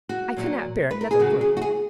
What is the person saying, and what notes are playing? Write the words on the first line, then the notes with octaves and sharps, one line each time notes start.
I could not bear another word.
F#4
A#2 F#3
B4
A#4
G#4
C#3 F#3 F#4
G#4
F#4
G#4